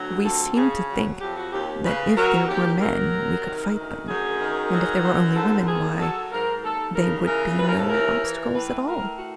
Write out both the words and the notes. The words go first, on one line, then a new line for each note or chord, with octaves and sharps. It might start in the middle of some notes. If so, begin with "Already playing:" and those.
We seemed to think that if there were men we could fight them, and if there were only women--why, they would be no obstacles at all.
Already playing: D2 F#3
F2 A4
C#3 G#4
F#3
F2 G4
F#4
D#2 G4
C#3 B4
F#3 A#4
D#2 G4
F#3 A#4
C3
D#3
D2
F#2 G#4
D#3
F#3
F#2
G#2 A4
D#3 G#4
F#3 A4
G#2 A#4
D#2 A4
C#3 A#4
E3 A#4
D#2 B4
A#4
A4
E3 A#4
E3
A2 B4
A2 A#4
F#4